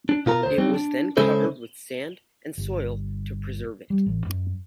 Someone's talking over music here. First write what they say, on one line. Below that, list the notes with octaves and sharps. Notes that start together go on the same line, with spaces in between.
It was then covered with sand and soil to preserve it.
D4
B2 F4 A#4 A#5
D2 C5
F#3 G3 C4 D#4
D4
C#3 G#3 C#4 E4 A4 C5
G1
G3
A1
F#2